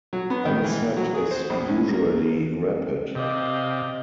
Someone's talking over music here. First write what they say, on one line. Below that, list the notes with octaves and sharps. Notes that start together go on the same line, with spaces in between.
Onset is usually rapid.
F#3
B3
D#3
E3
F#3
G#4
C5
A#1
C#4
A#3
C3 D5 D#5 F5